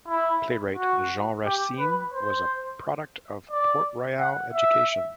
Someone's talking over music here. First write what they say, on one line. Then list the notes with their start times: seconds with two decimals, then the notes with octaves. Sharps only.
Playwright Jean Racine was a product of Port-Royal education.
0.08 E4
0.77 F#4
1.45 G4
1.79 B4
2.13 C5
3.51 D5
4.19 F#5
4.53 E5